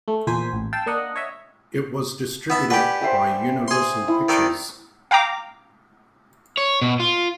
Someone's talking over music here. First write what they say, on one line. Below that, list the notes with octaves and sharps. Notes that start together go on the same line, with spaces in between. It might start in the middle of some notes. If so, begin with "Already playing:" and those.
It was distributed by Universal Pictures.
A3
E2 A#2 A#3 C5 G#5 B6
A1
F5 G5 A5 E6
A#3 D4 D#5 F#5
C#5 D#5 E5
B3 E5 A5
G4 B4 D5 F#5 G#5
C5 E5 G5
G#4 C6
E4
D#3 A4 D5
F5 G5 A#5 D6
C#5
B2
F4